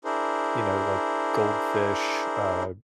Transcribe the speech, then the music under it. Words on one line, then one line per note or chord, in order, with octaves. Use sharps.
you know, like, goldfish, uh,
D4 E4 G#4 A#4 C5